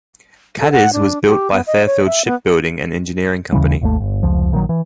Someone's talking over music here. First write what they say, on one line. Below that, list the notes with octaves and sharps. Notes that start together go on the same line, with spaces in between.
"Cadiz" was built by Fairfield Shipbuilding and Engineering Company.
A4
F#5
D4
G4
B3
D#5
C#5
E5
B3
D#2 C#3 E3 G3
G#1 D#2 D3 A3
G1
F1 C#2 F3
A#1 D#3 E3 F#3
E3